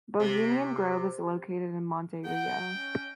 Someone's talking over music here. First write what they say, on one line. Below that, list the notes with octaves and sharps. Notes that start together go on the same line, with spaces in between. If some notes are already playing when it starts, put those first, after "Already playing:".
Bohemian Grove is located in Monte Rio.
C3
D#4 F#5 G5
C#4